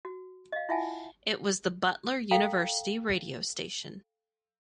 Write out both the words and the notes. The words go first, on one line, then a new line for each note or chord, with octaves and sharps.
It was the Butler University radio station.
F#4
D#5 F5
E4 F4 E5 F#5 G#5 A5
A4 F5 G5 A#5